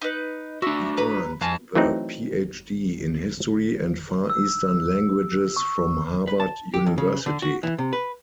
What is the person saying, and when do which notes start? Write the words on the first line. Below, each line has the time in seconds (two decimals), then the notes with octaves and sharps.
He earned the Ph.D. in history and Far Eastern languages from Harvard University.
0.02 D#4 B4
0.62 D4 F#4 E5
0.97 B4 A#5 B5
1.41 F2 F5 G#5 A5
1.75 E3 F#3 A3 C4 D#4
4.30 E6
5.56 C#6
6.27 B4
6.40 A5
6.74 G4
6.86 F2
6.98 C#3
7.26 D3
7.42 F#4
7.63 E3
7.78 C3
7.93 B4